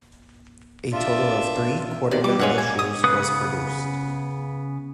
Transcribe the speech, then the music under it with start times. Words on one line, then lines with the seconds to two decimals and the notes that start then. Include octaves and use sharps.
A total of three quarterly issues was produced.
0.92 D4 F4 E5
2.11 C3 D#3 D5
2.24 B2 G3 D6
2.39 G2 G#3 F4 C#5 F#5
2.58 A#3 G#5 G6
2.79 D#6
3.04 C#3 B3 B4 D#6